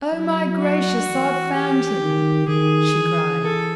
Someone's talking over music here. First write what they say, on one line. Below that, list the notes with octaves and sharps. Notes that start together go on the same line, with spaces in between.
"Oh, my gracious, I've found him!" she cried.
F#3 E4
F#4
E3
G4
D#3
D#3 G#4
E3
A4